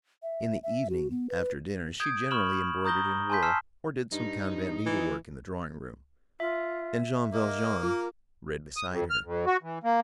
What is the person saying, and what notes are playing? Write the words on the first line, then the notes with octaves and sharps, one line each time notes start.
In the evening, after dinner, she generally embroidered in wool or did some convent needlework in the drawing-room, and Jean Valjean read beside her.
E5
E5
F#4
B3
B4
D#6 G6 G#6 D7
B5 C#6 F6 E7 F#7
A#5 D#6 G6 A#6 G7
G#5 A5 C6 G6 B6
A5 E6 F6 C7 E7
G2 D#4
E3
F4 E5
A#3 D#5
F4 A#4
D#6
F2
F6
F2
F#4
E3
A#3